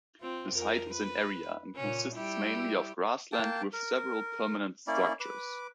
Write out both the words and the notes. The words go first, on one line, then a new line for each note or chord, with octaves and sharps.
The site is in area, and consists mainly of grassland with several permanent structures.
C4 F4
F2 A#4
B4
A#2 C#3 C#4
G3 E4 G4
A#3 G5 A5
A#4
A#3 C#4 E4 D5
B4 D6